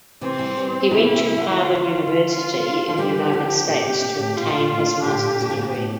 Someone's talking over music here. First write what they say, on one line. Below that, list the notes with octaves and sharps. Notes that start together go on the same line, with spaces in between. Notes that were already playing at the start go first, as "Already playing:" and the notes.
He went to Harvard University in United States to obtain his master's degree.
C3 E3 C4
E3 G3
E3 G3
C3 E3 E4
C3 E3
D3 F3
F4
F4
F3
E3 G3 G4
D3 F3
A#2 D3 G4
C3
A#2
A2
A#2 F4
A2
A#2 G4
A#2 D3
A#2 D3
C3
A#2
A2